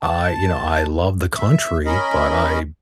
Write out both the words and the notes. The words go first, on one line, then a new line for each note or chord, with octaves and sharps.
I you know, I love the country, but I
A5
E5
C#4 A#4 D#5 B5